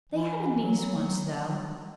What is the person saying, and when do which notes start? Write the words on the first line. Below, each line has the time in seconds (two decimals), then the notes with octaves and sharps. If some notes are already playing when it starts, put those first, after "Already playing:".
They had a niece once, though.
0.12 E3
0.62 F#3
0.79 F#3
0.96 F#3